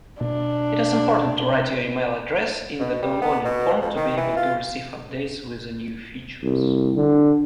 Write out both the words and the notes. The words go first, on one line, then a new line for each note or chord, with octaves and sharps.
It is important to write your email address in the downloading form to be able to receives updates with the new features.
B2 D4
B2
G3
B3
B2
F2
D#3
E3
F4
C2
D3